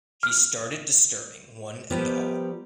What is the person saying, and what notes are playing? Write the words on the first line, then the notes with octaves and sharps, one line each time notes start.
He started disturbing one and all.
F6
F3 G3 B3 G4 A#4